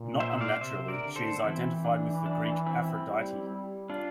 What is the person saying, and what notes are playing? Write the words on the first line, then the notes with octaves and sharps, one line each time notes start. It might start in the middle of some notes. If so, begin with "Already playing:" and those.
Not unnaturally she is identified with the Greek Aphrodite.
Already playing: A#2
C5 E5
D5 F5
C3 C5 E5
A#4 D5
D3
A4 C5
E3 C4 E4
D4
D4
C4 E4
G3
G3
D4 F4